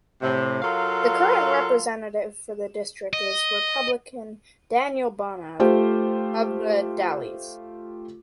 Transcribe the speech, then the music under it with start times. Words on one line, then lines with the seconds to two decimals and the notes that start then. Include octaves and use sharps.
The current representative for the district is Republican Daniel Bonham of The Dalles.
0.22 A2 C3
0.62 F#3 F4 A4 A#4 F5
3.13 D#5
5.59 A3 F4 G4 C5